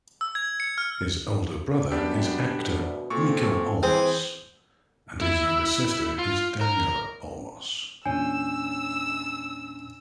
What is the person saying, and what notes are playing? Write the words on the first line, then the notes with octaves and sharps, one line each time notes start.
His older brother is actor Mico Olmos, and his younger sister is Daniela Olmos.
E6
G#6
C#7
F6
F#2 B3 D4 G4
D2 B2
A#2 C4 F4 A4 C#6
E3 C4 G#4
E4
F4
A#4
E2 A#2 C#4 D4 C#5 G#5 E6